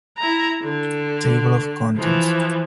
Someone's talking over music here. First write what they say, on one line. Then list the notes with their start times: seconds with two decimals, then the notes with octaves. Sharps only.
Table of Contents.
0.17 E4 A#5
0.62 D3
1.96 E3 F3